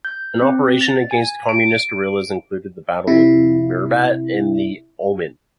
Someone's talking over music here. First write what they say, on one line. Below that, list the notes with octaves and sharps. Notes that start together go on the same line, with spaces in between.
An operation against communist guerillas included the Battle of Mirbat in the Oman.
G6
C4
A6
G#5
D7
C3 E4